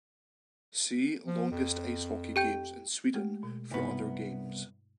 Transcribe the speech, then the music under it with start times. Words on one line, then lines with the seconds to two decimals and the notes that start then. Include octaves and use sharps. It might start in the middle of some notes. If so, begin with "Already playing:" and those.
See Longest ice hockey games in Sweden for other games.
1.26 F3
1.51 F2
2.36 G4 G5 G6
3.14 G#3 A3 G4
3.43 B2
3.71 C2 G2 B3 D#4